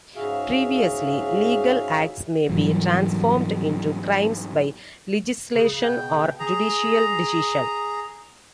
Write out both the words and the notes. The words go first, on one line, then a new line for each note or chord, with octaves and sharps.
Previously legal acts may be transformed into crimes by legislation or judicial decision.
G#2 C#3 F#4 G#4 E5 F5
G#2 E3 F#3 G3
C#3
B2 G5
G#4 A#5